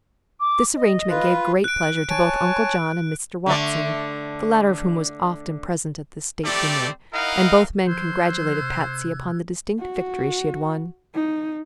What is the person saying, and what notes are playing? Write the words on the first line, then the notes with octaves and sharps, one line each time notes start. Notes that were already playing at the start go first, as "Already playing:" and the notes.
This arrangement gave great pleasure to both Uncle John and Mr. Watson, the latter of whom was often present at the "state dinner," and both men congratulated Patsy upon the distinct victory she had won.
D6
D#5
F4 B4
F#6 D7
C#5 G#5 A5 D7
D3 A3 D5
G3 A3 C4 G4 D5
D#4 E4 A#4 D#5 F5 F#5
F3 C5 E6 F#6 G#6
C3
F#4
D#4